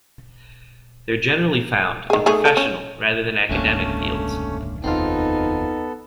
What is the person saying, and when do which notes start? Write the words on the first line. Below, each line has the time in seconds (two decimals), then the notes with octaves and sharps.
They are generally found in professional, rather than academic, fields.
2.10 D#3 G#4
2.26 A3 D#4 G#4
2.45 A4
2.57 C#4
3.49 E1 C#2 G#2 D3 A3 A#3 C#4
4.84 F1 D#2 B3 C4 D#4 F4 A4